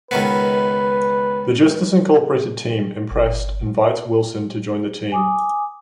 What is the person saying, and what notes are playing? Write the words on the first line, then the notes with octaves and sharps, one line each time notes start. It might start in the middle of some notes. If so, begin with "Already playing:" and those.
The Justice Incorporated team, impressed, invites Wilson to join the team.
C#2 D#3 B3 B4
G1
G#5 D6 D#6